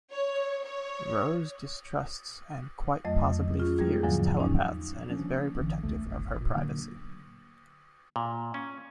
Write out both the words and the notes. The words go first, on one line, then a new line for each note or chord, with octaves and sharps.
Roz distrusts and quite possibly fears telepaths and is very protective of her privacy.
C#5
C#5
F2 F#3 A3 D#5
C#4 F4 G#4
G3 A#3 G#4
E2 G#2 D3 F3 F#3
C#4 D#4
F3 A#3 C#4 D4
G#1 D3 E3
E1 C#2 A3
D1 G1
A#2
A#2 D3 F#3 A#3
A#2
C#4